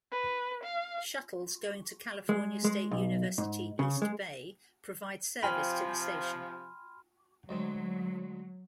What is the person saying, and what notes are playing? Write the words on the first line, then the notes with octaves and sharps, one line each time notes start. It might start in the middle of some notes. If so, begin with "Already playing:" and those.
Shuttles going to California State University, East Bay provide service to the station.
B4
F5
G#3
G#3
B1
G#2
C#3
G#3
C3 F3 G5 G#5 B5 C6 F6
D2 F#3 G#3 C4